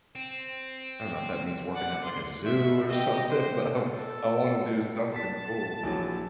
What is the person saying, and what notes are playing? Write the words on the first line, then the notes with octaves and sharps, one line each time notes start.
I don't know if that means working at, like, a zoo or something, but I want I wanna do something cool.
C4
D5 F#5
C6
E5
G4 D#5
C5
A4
G3
A5 B6
A#1 E3 F#3